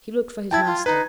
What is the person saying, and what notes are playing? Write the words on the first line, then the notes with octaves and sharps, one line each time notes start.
He looked for his master.
E4 G5 A5 G#6
F4
D#4 B4